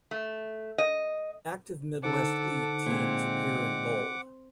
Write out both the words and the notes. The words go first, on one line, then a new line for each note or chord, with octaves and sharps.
Active Midwest League teams appear in bold.
A3
D#5
D3 D#4 A4 C5 F#5 D6
A#2 G#3 C4